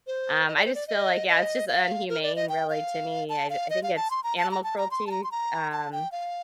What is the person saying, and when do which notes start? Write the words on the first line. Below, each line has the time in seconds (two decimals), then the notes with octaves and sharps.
Um, I just feel like yeah, it's just inhumane, really, to me, I d I think it's animal cruelty, um
0.07 C5
0.48 D#5
0.56 D5
0.65 C5
0.75 D5
0.88 D#5
1.29 D#5
1.68 F5
2.09 A#4
2.23 D5
2.36 D#5
2.49 G5
2.70 F5
3.29 A5
3.50 F5
3.70 D#5
3.83 F5
3.96 A5
4.11 C6
4.24 A#5
4.38 A5
4.51 A#5
4.64 A5
4.78 A#5
4.91 C6
5.07 A5
5.11 A#5
5.24 C6
5.31 A#5
5.72 A5
5.92 G5
6.12 F5